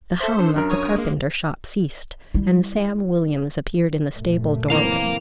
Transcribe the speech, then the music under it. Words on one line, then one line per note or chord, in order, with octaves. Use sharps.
The hum of the carpenter shop ceased, and Sam Williams appeared in the stable doorway.
A4 C5 E5
D4
F#2 A#4
C#5 D#6
G#3 A#3
G3 E4
F#1 A#2 A3
E3 A#3 C4 F5 A#5 F7